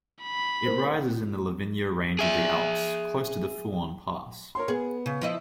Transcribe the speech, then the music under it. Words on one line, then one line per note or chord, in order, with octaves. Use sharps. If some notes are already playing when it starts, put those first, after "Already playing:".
It rises in the Livigno Range of the Alps, close to the Fuorn Pass.
B5
A#4 C5
G#4 E5
A#4 C#5 C6
B3 G#4
C#3
F3 E4 D#5